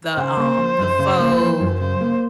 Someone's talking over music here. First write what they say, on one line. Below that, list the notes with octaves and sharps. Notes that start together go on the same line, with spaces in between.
the, um the pho,
C#3 C5
A#3
F3
F#2
C#3
A#3
F3
F#2
C#3 C5
A#3